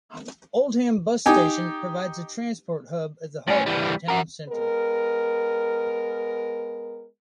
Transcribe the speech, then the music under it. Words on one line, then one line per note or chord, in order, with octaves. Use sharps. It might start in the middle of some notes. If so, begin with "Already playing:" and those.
Oldham bus station provides a transport hub at the heart of the town centre.
D#4 G4 G#5
A2 C#4
E3 G3
F#4 A#4
G#3 B3 A#4